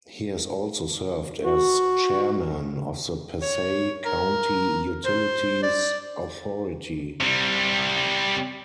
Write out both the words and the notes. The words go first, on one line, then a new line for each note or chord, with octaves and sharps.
He has also served as Chairman of the Passaic County Utilities Authority.
F#4
C#5
A#4
C5
D5
C3 G3